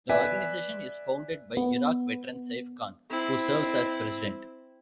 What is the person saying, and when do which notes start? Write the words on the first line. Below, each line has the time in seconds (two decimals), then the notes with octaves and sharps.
The organization is founded by Iraq veteran Saif Khan who serves as President.
0.09 B4 D5 E5 G#5
1.57 B3
3.10 C4 E4